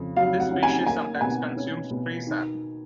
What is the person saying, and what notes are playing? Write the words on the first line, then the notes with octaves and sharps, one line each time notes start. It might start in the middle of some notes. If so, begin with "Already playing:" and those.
This species sometimes consumes tree sap.
Already playing: F2 C#3
F#3 F5
F#5
C#4
G#5
A#3 G#5
F#5
B2 G#5
C#4
B2
D#3